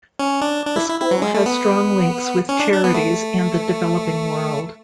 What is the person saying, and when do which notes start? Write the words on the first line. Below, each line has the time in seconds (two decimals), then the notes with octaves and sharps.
The school has strong links with charities and the developing world.
0.19 C#4
0.42 D4
0.66 D4
0.76 E4
0.89 E4
1.00 E4
1.11 F#3
1.22 G#3
1.35 A3
1.46 B3
2.49 C#4
2.60 D4
2.72 D4
2.84 B3
2.94 A3